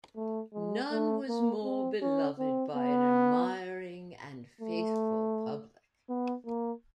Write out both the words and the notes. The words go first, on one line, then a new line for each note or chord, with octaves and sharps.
None was more beloved by an admiring and faithful public.
A3
G#3
A3
A#3
C4
C#4
C4
B3
A3
B3
A#3